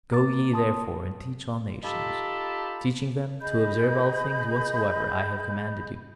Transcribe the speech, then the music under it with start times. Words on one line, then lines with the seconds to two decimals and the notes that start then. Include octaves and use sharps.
Go ye, therefore, and teach all nations, ... teaching them to observe all things whatsoever I have commanded you.
0.12 A#3 A#5 D6 A6
0.53 A#3 A5 C6 D#6
1.83 D#4 F4 G4 A4 A5 B5
3.41 G#4 D#5 B5 G6